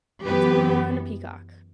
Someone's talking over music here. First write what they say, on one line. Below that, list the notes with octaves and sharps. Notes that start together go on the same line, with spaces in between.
It's on Peacock,
F#2 E3 B3 G4 B4